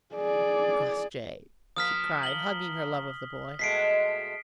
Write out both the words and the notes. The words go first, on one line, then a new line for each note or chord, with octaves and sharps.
"Crossjay!" she cried, hugging her love of the boy.
G#4 D5
F3 A#3 D#6 F6 B6
F#7 G7
B2 G#3 A3 B6 C7 D7